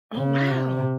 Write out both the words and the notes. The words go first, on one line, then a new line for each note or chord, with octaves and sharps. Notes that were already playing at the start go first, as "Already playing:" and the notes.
Oh, wow.
C#3
C3